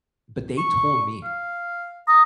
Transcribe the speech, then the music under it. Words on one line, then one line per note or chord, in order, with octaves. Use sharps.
But, they told me,
C#6
F5
A#5 D#6